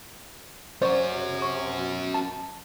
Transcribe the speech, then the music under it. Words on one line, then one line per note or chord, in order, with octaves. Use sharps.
and, um,
C#4 F#4 C5 D5 C#6
C#6
A5